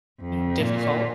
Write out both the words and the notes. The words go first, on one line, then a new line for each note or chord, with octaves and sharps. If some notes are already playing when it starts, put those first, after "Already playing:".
you know, difficult.
F2
A#2